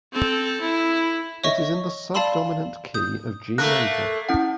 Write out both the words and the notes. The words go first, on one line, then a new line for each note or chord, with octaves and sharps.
It is in the subdominant key of G major.
C4 A4
E4
C#5 D#5 E5 C#6 A#6
D5 F5 A5 B5 C6 E6
D#6 G6
A3 A#3 F#6 A#6
C#4 E4 F#5